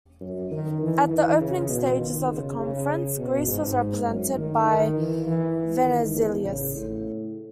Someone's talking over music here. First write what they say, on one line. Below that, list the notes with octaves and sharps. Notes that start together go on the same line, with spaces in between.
At the opening stages of the conference, Greece was represented by Venizelos.
F#2
D#3
E3
E3
C#3
B2
D#3
C#3
C#3
B2
G#2
F#2
D#3
D#3
E3
E3
D#3
E2
C#3
A2